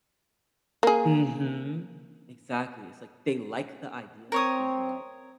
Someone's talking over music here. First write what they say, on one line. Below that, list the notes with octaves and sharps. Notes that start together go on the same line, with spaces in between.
Mhm, exactly, it's like they like the idea of being liked,
A#3 G#4
C4 A#4 C#5 D#6